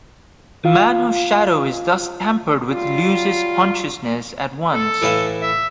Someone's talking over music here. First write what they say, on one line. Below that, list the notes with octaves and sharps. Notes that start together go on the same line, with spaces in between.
The man whose shadow is thus tampered with loses consciousness at once.
F4 F5
F#3 G3 F4
A4
A2 E3 F5
E5